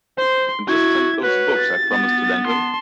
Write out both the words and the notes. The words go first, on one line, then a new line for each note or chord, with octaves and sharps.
And just send those books I promised to lend him?
C5 C6
E4 F#4 G#6
F#4 B4 C#5
A6
B3
A5 C6